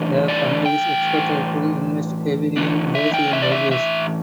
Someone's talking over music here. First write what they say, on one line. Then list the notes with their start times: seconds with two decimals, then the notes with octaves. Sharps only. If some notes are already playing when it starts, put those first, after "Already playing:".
The fund is expected to invest heavily in Brazilian railways.
Already playing: A2 E3 G3 D4
0.28 D5
0.66 G5
2.57 A2 E3 B3 D4
2.95 E5
3.14 G5
3.33 E5
3.42 D5
3.52 E5
3.71 E5